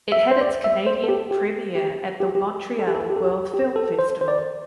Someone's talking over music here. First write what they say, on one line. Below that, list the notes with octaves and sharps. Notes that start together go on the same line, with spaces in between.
It had its Canadian premiere at the Montreal World Film Festival.
E5
C5
D5
E5
C5
A4
G4
G4
G4
G4
G4
A4
G4
A4
G4
A4
G4
A4
G4
A4
C5
C5
D5